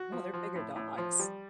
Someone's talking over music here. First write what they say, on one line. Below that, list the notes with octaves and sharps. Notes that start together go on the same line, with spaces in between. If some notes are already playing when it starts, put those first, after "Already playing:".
Wow, they're bigger dogs.
Already playing: F#4
F3
F3
A2
A2
F3
G3